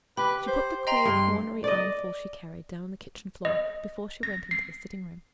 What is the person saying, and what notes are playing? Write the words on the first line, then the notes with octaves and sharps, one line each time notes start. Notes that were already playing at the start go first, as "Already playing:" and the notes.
She put the queer cornery armful she carried down on the kitchen floor before she went into the sitting room.
G4 B4 B5
C5
D#5 G5 A#5 C6
G2
D5 D#5
D#5
A#6
C7